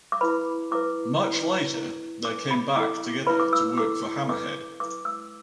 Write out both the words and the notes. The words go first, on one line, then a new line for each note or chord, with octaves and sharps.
Much later, they came back together to work for Hammerhead.
D6
E4 B4 B5
E4 B4 D6
E4 B4
E4 B4
D4 B4 D6
B5
E4 A4 D6
E4 B4 B5
D6
E6
E4 A4 D6
D4 B4 D6
E4 B4 D6
E6